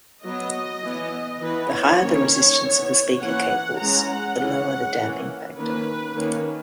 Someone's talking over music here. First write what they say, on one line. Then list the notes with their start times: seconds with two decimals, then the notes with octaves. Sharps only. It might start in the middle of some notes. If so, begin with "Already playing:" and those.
The higher the resistance of the speaker cables, the lower the damping factor.
0.24 F#3 B3 D#5
0.82 E3 B3
1.42 E3 B3 B4
1.72 C#5
2.01 D#3 A#3 C#4
2.61 E3 B3
3.20 E3 A#3 C#4 F#5
3.79 E3 G#3 C#4 A#5
4.09 F#5
4.38 E3 G#3 C#4 F#5
4.98 E3 A#3 C#4
5.57 D#3 A#3 C#4 B4
6.16 D#3 A#3 C#4